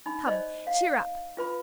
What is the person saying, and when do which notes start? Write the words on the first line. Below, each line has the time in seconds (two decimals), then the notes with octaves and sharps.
Come, cheer up.
0.06 D#4 B5
0.27 C5 D5 D#5
0.67 F5
1.37 F4 B4 B5